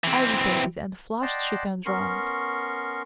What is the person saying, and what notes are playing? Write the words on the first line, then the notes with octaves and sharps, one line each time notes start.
Agitated and flushed she turned round.
E3 C4
D5 D#5 F#5 G5 A5 C6
B3 C#4 A#4 C6 C#6